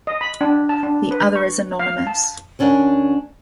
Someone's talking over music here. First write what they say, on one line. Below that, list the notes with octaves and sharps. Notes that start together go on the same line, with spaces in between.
The other is anonymous.
D#5
B5
D4
A5
D4
B4
C#6
F5
A5
D2 C#4 D4 A#4 F#5